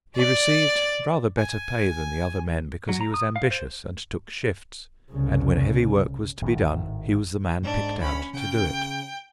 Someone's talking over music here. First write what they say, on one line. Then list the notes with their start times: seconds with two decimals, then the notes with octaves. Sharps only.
He received rather better pay than the other men because he was ambitious and took shifts, and when heavy work was to be done he was the man picked out to do it.
0.17 D5
1.38 G#5
2.89 F#3
3.01 A#5
3.14 D#6
3.36 F5
3.51 C5
5.12 C2 C#3
6.41 G#1 A2 D3 D#3
7.62 G#2 D4
8.00 D2 C#4 B5
8.34 C#3 G5